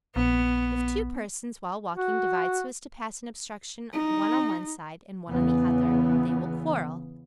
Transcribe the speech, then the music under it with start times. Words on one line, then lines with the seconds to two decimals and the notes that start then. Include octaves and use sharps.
If two persons, while walking, divide so as to pass an obstruction one on one side and one on the other, they will quarrel.
0.16 A#1 B3
1.97 F#4
3.93 D#4
5.29 E2 C#3 E3 B3